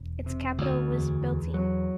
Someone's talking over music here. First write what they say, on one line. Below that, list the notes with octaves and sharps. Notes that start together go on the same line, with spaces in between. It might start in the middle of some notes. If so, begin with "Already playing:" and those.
Its capital was Biltine.
Already playing: E1
C3
D2
E2
E2
F#3